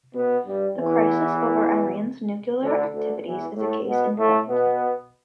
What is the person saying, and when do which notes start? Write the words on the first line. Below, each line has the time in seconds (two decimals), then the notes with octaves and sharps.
The crisis over Iran's nuclear activities is a case in point.
0.14 B2 B3
0.45 G2 G3
0.76 E2 E3
2.61 D2 D3
2.92 D2 D3
3.24 E2 E3
3.55 A2 A3
3.85 B2 B3
4.16 A2 A3
4.47 B2 B3